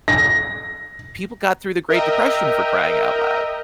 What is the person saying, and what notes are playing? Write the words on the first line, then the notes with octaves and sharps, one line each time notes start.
people got through the great depression for crying out loud.
A#6
A#4 D#5 E5 G5